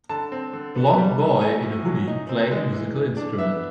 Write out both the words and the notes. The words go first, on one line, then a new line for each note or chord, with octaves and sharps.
Blond boy in a hoodie playing a musical instrument.
D3 A5
C4
D3
B3
G3
E3
A3 G#5
A2
F#3
D#4
C4
G#3
E3
E3
D4
B3 E5